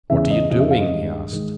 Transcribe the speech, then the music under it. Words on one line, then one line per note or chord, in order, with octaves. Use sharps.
"What are you doing?" he asked.
E2 C#3 E3 E5
D#5
F2 C#3 F3 D#5
E5
F5
D#5
G2 D#3 G#3
G#2 D#3 G#3